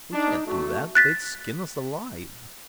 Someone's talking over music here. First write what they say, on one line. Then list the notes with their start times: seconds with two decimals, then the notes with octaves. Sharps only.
We can't do that, they'd skin us alive.
0.13 D4 D#4
0.47 C3 A3 F#4
0.95 F#6 A6 B6